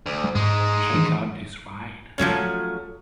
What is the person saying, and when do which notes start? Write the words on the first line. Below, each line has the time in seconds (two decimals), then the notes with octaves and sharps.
Check Out This Ride!
0.06 D2
0.35 G#2 G#3 D#4
0.94 D#3 E3 D4
2.18 F3 F#3 A3 C#4